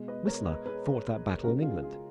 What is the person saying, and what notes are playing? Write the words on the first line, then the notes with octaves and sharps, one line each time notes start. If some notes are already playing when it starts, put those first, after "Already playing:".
Whistler fought that battle in England.
Already playing: B2 G#3
B4 D#5
A#4 C#5
B4 D#5
G#4 B4
C#3 G#3 F#4 A#4
F4 G#4
F4 G#4